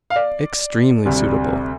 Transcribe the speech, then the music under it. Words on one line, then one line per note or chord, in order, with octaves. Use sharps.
Extremely suitable.
F5
D5
D2 C3 G3